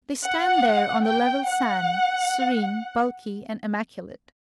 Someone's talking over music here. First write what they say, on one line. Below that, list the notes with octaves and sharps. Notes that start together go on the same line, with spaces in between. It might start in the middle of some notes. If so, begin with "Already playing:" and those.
They stand there on the level sand, serene, bulky and immaculate.
F#5
G5
F#5